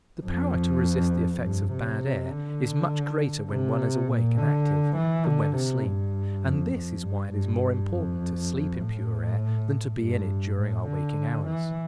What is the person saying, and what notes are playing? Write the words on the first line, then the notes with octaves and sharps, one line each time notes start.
The power to resist the effects of bad air is much greater when one is awake and active than when asleep, and this is why it is more important to sleep in pure air than to be in it during our waking hours.
F2
G2
C3
D3
C3
A#2
D3
E3
D3
C3
G2
F2
F2
G2
G2
F2
A2
G2
A2
D3
E3